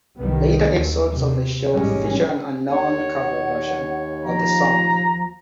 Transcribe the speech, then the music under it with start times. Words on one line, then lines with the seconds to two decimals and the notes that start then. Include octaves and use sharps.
Later episodes of the show feature an unknown cover version of the song.
0.19 C2 D#3 G3 B3
0.75 D#2
1.14 C3
1.74 A1 G#2 B2 G3 G#3 C#4
2.70 D#2 C#5 F#5
4.24 F3 A#5